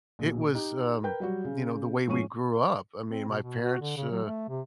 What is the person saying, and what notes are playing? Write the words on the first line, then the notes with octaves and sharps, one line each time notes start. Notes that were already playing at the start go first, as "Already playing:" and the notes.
it was, um, you know, the way we grew up, I mean, my parents, uh,
A#1 B2
D#4 G4
A#4 B4 G5 G6
F#3 G3 F#4
C#3
G#2 F3 C#4 C#6 D#7
C4
B2
B2
F#4
D3
C#3
F#3
A3
C3